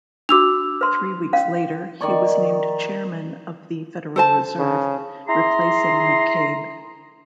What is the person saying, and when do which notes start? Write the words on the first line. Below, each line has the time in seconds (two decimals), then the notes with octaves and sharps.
Three weeks later, he was named Chairman of the Federal Reserve, replacing McCabe.
0.29 D4 F#4 D6 E6 F7
0.81 B4 C6
1.33 C#4 F5
2.01 D#3 D5 C#6
4.16 A4 C5 A5
4.57 C#3
5.28 E4 G#4 A#5 C6